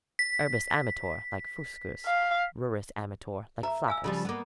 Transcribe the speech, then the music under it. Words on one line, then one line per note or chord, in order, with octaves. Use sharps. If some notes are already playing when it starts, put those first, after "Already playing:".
Urbis amator, like Fuscus; ruris amator, like Flaccus.
B6
F5
E5 A#5
F5 G#5 E6
C#3 F3 G3
A#3 B3